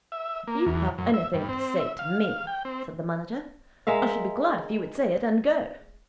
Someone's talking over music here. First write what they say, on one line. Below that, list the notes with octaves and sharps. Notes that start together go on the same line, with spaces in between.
'If you have anything to say to me,' said the manager, 'I should be glad if you would say it, and go.'
E5
A#3
E2
F#2
E5
G2
C4
E5
F5
F5
G5
C4
G#3 A#4 E5 F5